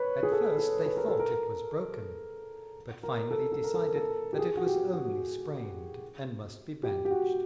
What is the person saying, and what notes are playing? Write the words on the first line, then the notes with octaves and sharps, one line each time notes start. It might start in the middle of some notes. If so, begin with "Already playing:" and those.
At first they thought it was broken, but finally decided that it was only sprained, and must be bandaged.
Already playing: B4 C#5
G#4
A4
A4
B4
A#4
A4
A#4
A#4
A4
A#4
A4
A#4
A4
A#4
A4
G4
G#4
F#4
G4
F#4
G4
G4
F#4